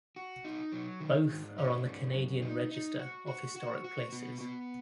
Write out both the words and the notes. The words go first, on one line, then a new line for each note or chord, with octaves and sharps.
Both are on Canadian Register of Historic Places.
F#4
D#4
F#3
D#3
G#2
C#4
G#2
F#2
D#4
D#4
F#4
F#4
F#4
F#4
B3
B3